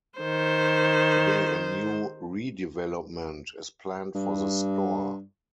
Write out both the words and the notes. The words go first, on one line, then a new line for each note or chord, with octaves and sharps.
Today a new redevelopment is planned for the store.
D#3 C5
G2